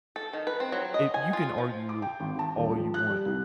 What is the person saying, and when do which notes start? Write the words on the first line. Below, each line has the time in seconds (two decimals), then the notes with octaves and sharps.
i you can argue all you want
0.16 A4
0.33 D#3
0.47 B4
0.60 C4
0.72 F#3
0.94 D#5
1.14 G#5
1.33 F4
1.58 F3
1.89 D6
2.02 G5
2.20 G#1
2.39 A5
2.57 D#1
2.69 F3
2.94 F#6
3.07 G3
3.26 C2